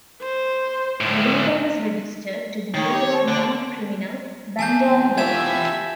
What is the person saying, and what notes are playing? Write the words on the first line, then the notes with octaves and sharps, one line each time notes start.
The vehicle was registered to the daughter of known criminal, Bandali Debs.
C5
D2 A2
D#3 C#5
G4 C#5
A5
D3 D4
E2 G#5 A5 G6
F4 G4 E5 G#6 E7